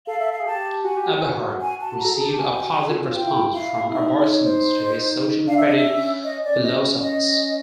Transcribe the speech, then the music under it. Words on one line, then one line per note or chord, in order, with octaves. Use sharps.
Aberhart received a positive response from Albertans to his social credit philosophies.
A4 F5
E5
F5
G#4
G4 A5
F#4 G#5
G4
F#4
G#5
A5
A4 A#5
G#4 A5
G4
F#4 G#5
G4
F#4
F4
F4 G5
E4
F4
E4 F5
E4
D#4 E5
C#5
C5
D4 F5
E5
D#5
E5
C#4
D#5
D5
D#5
D#5